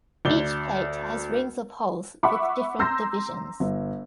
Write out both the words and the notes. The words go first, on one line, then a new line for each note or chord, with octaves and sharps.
Each plate has rings of holes with different divisions.
D2 D5 G7
E5 F#5 B5 C#6 D6
A#5 C6 E6 G6 A#6
G1